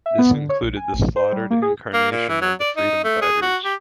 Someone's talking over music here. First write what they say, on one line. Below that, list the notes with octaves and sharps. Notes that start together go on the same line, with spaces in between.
This includes the slaughtered incarnation of the Freedom Fighters.
E5
B3
D3
C#5
A#1
G#5
A1
C5
G3
A#3
G#4
A#3
A#2
E3
F#3
D5
D#4
A3
G#4
F#4
G4